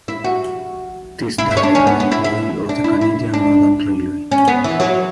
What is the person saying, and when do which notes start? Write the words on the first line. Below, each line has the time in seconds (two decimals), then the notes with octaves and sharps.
Tisdale, an employee of the Canadian Northern Railway.
0.08 E4
0.24 F#4
1.38 E4
1.51 E4
1.57 C#4
1.63 D4
1.75 C#4
1.87 B3
2.00 B3
2.11 E4
2.24 E4
2.69 D4
2.84 E4
3.01 E4
3.34 D4
4.31 C#4
4.48 B3
4.64 E3
4.80 F#3